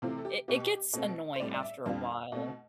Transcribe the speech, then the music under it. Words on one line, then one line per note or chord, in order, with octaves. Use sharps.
i it gets annoying, after a while
C3 E3 A3 C4 F4
A4
G4
B2 B3 G4
B2 A3 C4
C5
A2 G3 C4 D5
D5
E5
F2 D3 G3 C4 F5
B2 A3 C4